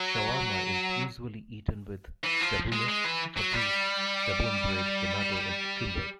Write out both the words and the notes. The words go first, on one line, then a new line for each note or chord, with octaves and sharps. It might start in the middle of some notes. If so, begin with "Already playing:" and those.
Shawarma is usually eaten with tabbouleh, fattoush, taboon bread, tomato, and cucumber.
Already playing: F#3
E3
F3
G#3
G#3
E3
F#3
G3